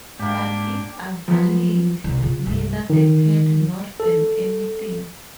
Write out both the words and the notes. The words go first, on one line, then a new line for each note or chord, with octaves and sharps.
But it availed neither the cat nor them anything.
G#2 A#3 D4 G4
F3 F#3 B3
C2
C#3 F4
C2 G2
D#3
A4